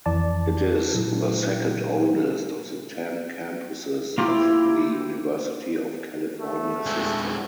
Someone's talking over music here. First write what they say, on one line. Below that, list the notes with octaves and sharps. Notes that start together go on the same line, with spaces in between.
It is the second-oldest of the ten campuses of the University of California system.
F2 E3 D5 A5
A#2 F#3 E4
A#3 E4 F4 G4
A3
G#3 D4